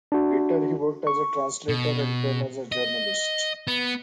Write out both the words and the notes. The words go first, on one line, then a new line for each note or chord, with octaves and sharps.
Later he worked as a translator, then as a journalist.
D4 F#4
C#6
B2
D#5
B3